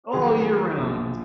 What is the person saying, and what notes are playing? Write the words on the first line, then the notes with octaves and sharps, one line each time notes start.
All year round.
F2 D#3 F#3 G#4
A#4
G#4
A#1 A#2 F3